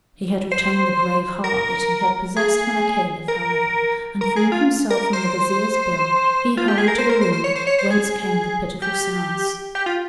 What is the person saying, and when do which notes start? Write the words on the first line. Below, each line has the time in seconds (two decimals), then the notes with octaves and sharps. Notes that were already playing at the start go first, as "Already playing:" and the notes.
He had retained the brave heart that he had possessed when a Caliph, however, and freeing himself from the Vizier's bill, he hurried to the room whence came the pitiful sounds.
0.52 C5
1.44 A#4
2.36 G#4
3.28 A#4
4.21 A#4
4.36 G#4
4.52 F4
4.90 A#4
5.13 C5
6.57 F4
6.68 G4
6.78 G#4
6.88 A#4
6.98 C5
7.09 A#4
7.21 C5
7.33 C5
7.44 C#5
7.55 C5
7.67 C#5
7.79 C5
7.91 G#4
8.82 G4
9.75 G4
9.86 F4